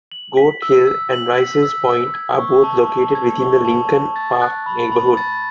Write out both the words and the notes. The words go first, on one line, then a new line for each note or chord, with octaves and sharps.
Goat Hill and Rice's Point are both located within the Lincoln Park neighborhood.
F#7
B6
E6
E6
F#7
B6
E6
E6
G#6
C#6
A5
A5
G#6
C#6
A5
A5
A6
F#6
B5
B5
A6